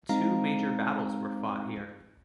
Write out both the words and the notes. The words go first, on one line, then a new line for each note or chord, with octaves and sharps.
Two major battles were fought here.
G#3 C4 D#4 F5 A#5